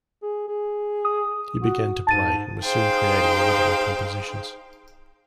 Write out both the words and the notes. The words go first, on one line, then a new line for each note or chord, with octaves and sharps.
He began to play and was soon creating original compositions.
G#4
G#4
D#6
F#4
G#2 A5 A6 D#7
D#4 G#4 C5 F5 G5